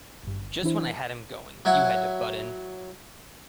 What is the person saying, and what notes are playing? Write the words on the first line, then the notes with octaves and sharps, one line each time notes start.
Just when I had him going, you had to butt in!
G#1 G2
G1
E3 D4 E4 C5
F#3 E4 F#5